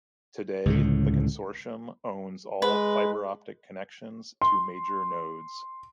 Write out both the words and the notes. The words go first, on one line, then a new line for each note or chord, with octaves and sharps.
Today the Consortium owns all fiber-optic connections to major nodes.
C#2 A2 D3
G#3 B4 B5
C6